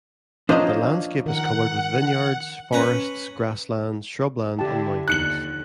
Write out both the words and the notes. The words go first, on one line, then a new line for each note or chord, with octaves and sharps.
The landscape is covered with vineyards, forests, grasslands, shrubland and mountains.
F3 D4 A#4 C5 C#5 D#5 A#5
D#3 A#4 F#5
C#4 B4 A#5 B5
D3 E4 G4 G5 A5
D#2 D3 F3 D#4 F#6 C#7 F#7